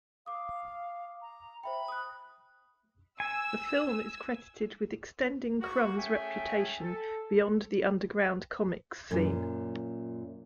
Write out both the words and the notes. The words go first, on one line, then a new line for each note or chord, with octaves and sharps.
The film is credited with extending Crumb's reputation beyond the underground comix scene.
F5 D6 D#6
A#5
C5 E5 G5 B5
D#6 F#6
G#5 E6
A#3 F#4
A3 C#4 G#4 E5 G5 G#5
A4
F#2 A#2